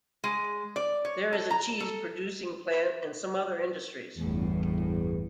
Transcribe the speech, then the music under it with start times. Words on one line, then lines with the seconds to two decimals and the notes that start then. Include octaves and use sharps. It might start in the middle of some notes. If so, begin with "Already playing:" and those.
There is a cheese producing plant and some other industries.
0.24 G#3
0.76 D5
1.05 C#5
1.33 A4
1.50 A#5
1.80 A4
4.18 G1 E2 A2